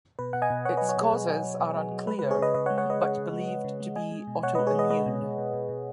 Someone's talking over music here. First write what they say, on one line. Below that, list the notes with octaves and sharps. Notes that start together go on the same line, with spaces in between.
Its causes are unclear, but believed to be autoimmune.
B2 B4
B2 F#5
D#5 G#5
B2
B2 C#5 F#5
F#3 B4 D#5
C#5 F#5
B2 G#4
B2 B4
F#3
F#3
B2
F#3
F#3
G#3 B4
C#3 B4
G#4 C#5
C#3 B4 D#5
C#3 B4 D#5
C#5 F#5
G#3
C#5 F#5
G#3 B4 D#5
C#3 C#5 F#5
C#3
G#3
G#3
C#3
G#3
G#3 D#5 G#5
G#3
B2
B2 C#5 F#5
G#3 B4 D#5
G#4 C#5
G#3 B4 D#5
G#3 B4 D#5
B2
B2
B2
B2
B2